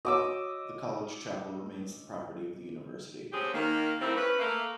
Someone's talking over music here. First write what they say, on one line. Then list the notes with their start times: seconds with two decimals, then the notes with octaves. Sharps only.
The college chapel remains the property of the university.
0.05 F#4 C#5 D#5 D6 E6
3.33 D2 C4 C#4 G4 G#4
3.54 D#3 A#3
4.00 G3 A3 A#3 C4 E4
4.16 C#4 B4
4.39 A3 A#3